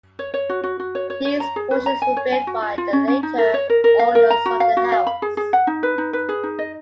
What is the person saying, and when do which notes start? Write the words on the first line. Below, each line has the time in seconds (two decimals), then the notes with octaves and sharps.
These portions were built by the later owners of the house.
0.19 C#5
0.34 C#5
0.49 F#4
0.64 F#4
0.80 F#4
0.95 C#5
1.10 C#5
1.25 C#5
1.40 A#5
1.56 G#4
1.71 B4
1.86 A#5
2.02 G#5
2.17 C#5
2.32 G#5
2.47 F#4
2.62 F4
2.78 F4
2.93 C#4
3.08 C#4
3.23 D#4
3.38 A#4
3.54 C#5
3.70 A#4
3.84 A#4
3.99 F5
4.15 A#4
4.30 A#5
4.46 F#4
4.60 F5
4.77 F#4
4.92 F5
5.07 B5
5.22 G#4
5.37 G#4
5.53 F#5
5.67 D#4
5.83 B4
5.98 D#4
6.13 B4
6.29 G#4
6.43 D#4
6.59 D#5